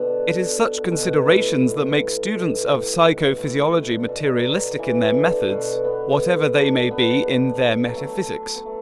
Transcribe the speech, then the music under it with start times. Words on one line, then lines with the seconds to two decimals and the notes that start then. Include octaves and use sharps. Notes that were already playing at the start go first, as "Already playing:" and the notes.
It is such considerations that make students of psychophysiology materialistic in their methods, whatever they may be in their metaphysics.
Already playing: B2 D3
0.92 B2
1.27 A2
1.63 B2
1.98 A2
2.34 B2
2.68 A2
3.03 B2
3.38 A2
3.74 B2
3.91 D3
4.09 B2
4.26 F#3
4.45 F#3
4.79 E3
5.14 D3
5.49 B2
5.84 B3
6.56 D4
6.91 B3
7.89 F#3
7.96 A3
8.55 B3
8.66 A3